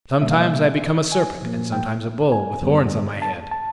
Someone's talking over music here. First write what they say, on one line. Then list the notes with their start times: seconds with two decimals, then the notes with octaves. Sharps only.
Sometimes I become a serpent, and sometimes a bull, with horns on my head.
0.22 B2 G3 A#3 E5
0.31 F5
0.37 E5
0.41 D#5
0.51 E5
1.12 G#5
1.42 A#2 F3 A#3
1.72 G5
2.32 G#5
2.61 F#2 D3 G3 B3
3.22 A5
3.51 A5